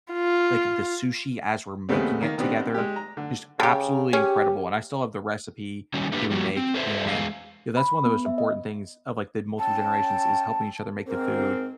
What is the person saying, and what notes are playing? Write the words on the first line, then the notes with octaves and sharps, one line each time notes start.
like, the sushi as we're making it together. Just absolutely incredible, and I still have the recipe that we make, and, you know, that's one of the most important things of, like, the multiple generations is helping each other make the food
F4
D#2 C#3 G3 A3 B3 C4
D#3 A#3
D#3 B3 C4 D4 G4
G#3 G4
A#5
D3
C#3 G4 A4
C#4 G4 G#4
D#3 F#3 G3 C#4
A3 A#3 D4 G4 B4
F3 G3 A#3 F#4 G4
C4
A4 B4 C5 D#5 E5
E2 G#3 G#4 F5
B5
B3
E5
D#5
C#4 G5 A5
G#2 C4 A#4